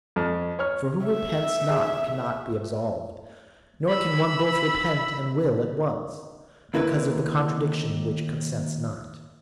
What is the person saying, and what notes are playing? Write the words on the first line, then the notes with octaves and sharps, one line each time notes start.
For who repents not cannot be absolved, Nor can one both repent and will at once, Because of the contradiction which consents not.'
F2
C#5 C#6 F6
E5
G#4
B5 E6
D#2 E4 A#4 B4